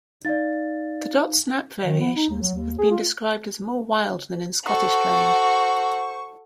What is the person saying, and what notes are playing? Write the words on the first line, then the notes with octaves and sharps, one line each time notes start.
The dot-snap variations have been described as more "wild" than in Scottish playing.
D#4 D5 F5 A6
D#3
B3
D#4
D#2
F#3
D#2
G#4
F4
F#4 A4 C5 C#6